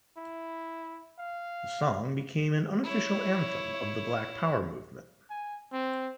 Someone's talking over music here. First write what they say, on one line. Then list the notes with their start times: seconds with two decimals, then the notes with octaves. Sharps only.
The song became an unofficial anthem of the Black Power movement.
0.17 E4
1.19 F5
2.84 E4 C#5
5.30 G#5
5.72 C4